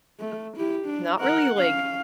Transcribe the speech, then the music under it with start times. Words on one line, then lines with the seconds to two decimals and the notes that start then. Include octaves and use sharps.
not really, like,
0.20 A3
0.57 E4 G4
0.86 D4
1.20 A#4 F#5
1.58 C#4 F5